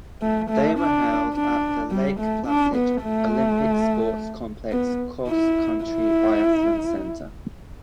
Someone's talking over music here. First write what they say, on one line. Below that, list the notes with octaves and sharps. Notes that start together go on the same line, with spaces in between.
They were held at the Lake Placid Olympic Sports Complex Cross Country Biathlon Center.
A3
A3
D4
D4
G3
A3
D4
B3
A3
B3
E4
E4